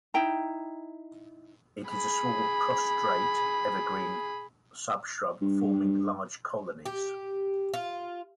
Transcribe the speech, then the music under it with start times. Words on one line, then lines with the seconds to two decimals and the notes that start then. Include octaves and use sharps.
It is a small prostrate evergreen subshrub forming large colonies.
0.14 D#4 E4 G5 A#5
1.88 G#4 B5
5.42 G2
6.86 G4
7.74 F4